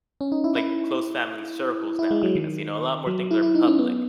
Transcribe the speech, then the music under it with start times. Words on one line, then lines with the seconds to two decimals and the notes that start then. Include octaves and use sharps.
like, close family circles now, I guess, you know, a lot more things are public.
0.21 C#4
0.32 D#4
0.44 E4
0.56 E4
1.99 E4
2.11 G#3
2.23 F#3
2.35 D#3
3.07 F#3
3.31 E4
3.42 E4
3.55 D#4
3.67 C#4
3.79 B3